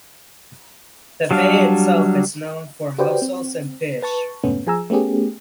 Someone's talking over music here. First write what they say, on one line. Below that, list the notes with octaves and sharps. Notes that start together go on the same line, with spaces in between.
The bay itself is known for mussels and fish.
F#3 G3 D4 F5
F#4 G4 B4 C5 D5 G5
C4
B4 A5 C#6
F2 G#2 C3 A3 B3 C#4
F3 G#4 G#5 A#5 E6
A3 B3 C#4 G4 G#4